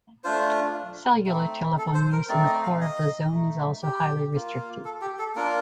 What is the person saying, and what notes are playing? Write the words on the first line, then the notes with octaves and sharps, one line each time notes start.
Cellular telephone use in the core of the zone is also highly restricted.
A3 D4 F4 C5
A3 C4 D#4
A4
C5
A#4
A3 C4 D#4 D5
D#5
F5
D#5
A3 D#4
G4
A#3 F4
A4
G4
A4
A#3 D4 F4 A#4